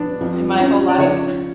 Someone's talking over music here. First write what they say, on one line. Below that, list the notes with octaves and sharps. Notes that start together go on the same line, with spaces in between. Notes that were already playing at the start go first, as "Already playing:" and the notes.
in my whole life. S
Already playing: B3 D4
F2 F3
C#4 F4
D5
C#3 F3 C#5